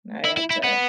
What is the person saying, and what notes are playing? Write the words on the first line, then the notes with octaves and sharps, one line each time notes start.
now I have to
E4
E4
E4
B3